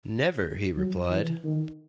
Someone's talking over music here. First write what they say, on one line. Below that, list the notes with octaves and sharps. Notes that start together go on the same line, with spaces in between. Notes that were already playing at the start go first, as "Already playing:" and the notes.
'Never,' he replied.
F#3
E3
D#3